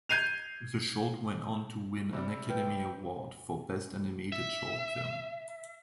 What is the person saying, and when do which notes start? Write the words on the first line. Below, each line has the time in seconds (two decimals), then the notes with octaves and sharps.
The short went on to win an Academy Award for Best Animated Short Film.
0.09 G6 G#6 C7 D#7 F7
2.13 C3 G3
2.50 B4 G5
4.32 E5